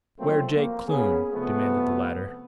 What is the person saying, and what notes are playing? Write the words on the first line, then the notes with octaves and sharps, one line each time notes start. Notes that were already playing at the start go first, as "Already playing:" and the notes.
"Where Jake Kloon?" demanded the latter.
F3 F#3 A3 A#3 C4
A#3
B3 C#4 G#4
C3 F3 A3 B3